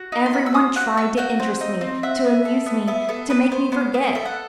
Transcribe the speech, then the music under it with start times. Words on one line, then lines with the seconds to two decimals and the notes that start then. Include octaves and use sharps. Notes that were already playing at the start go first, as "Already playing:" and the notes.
Every one tried to interest me, to amuse me, to make me forget.
Already playing: F#4
0.12 D#4
0.26 C6
0.33 F#4 B5
0.46 E6
0.54 C4 D#6
0.76 F#4 F#6
0.97 F#4 E6
1.18 F#4 G6
1.40 C4
1.61 D#4
1.81 C4
2.03 F#4 E5
2.25 B3
2.45 A4
2.66 B3
2.87 B3 E5
3.09 B3 A4
3.30 B3 B4
3.52 B3 C5
3.72 B3 C5
3.94 B3
4.15 A4 E5
4.25 F#5